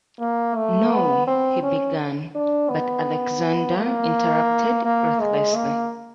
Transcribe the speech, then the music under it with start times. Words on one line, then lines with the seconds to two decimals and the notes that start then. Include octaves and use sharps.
"No — " he began, but Alexander interrupted ruthlessly.
0.20 A#3
0.56 A3
0.92 B3
1.27 C4
1.63 C#4
2.35 D4
2.70 B3
3.77 A#3
4.85 A#3
5.20 G#3
5.56 A#3